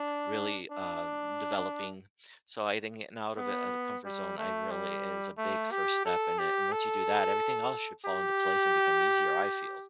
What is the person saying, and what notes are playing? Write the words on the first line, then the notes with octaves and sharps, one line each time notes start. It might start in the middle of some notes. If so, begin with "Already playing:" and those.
really, um, developing, so I think getting out of it- the comfort zone- I really is a big first step; and it and once you do that, everything else should fall into place and become easier, I feel.
Already playing: D4
D4
B3
G3
A3
G3
A3
G4
A4
G4
A4
G4